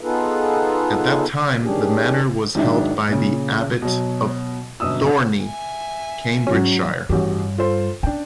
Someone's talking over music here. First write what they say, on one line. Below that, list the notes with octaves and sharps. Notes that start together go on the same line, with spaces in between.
At that time the manor was held by the Abbot of Thorney, Cambridgeshire.
B3 D#4 F4 G#4 A4 B4
D#3 C#4 D4 G4 G#4
G#1 G#2 D#3 F#3 D4 E5
A#2 C#3
B2 F#3
G1 F#2 B2 D#6 E6
E5 G#5
G#2 F#3 C#4 F#4
A1 G2 F#4 G4
F4 A4 C5
C#4 D4 G5